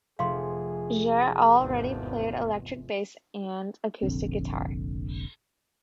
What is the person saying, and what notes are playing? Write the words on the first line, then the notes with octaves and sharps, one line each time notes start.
Jere already played electric bass and acoustic guitar.
F1 G#4 F5 C6
G#1 E2 F3
F1 A#1 D3 C4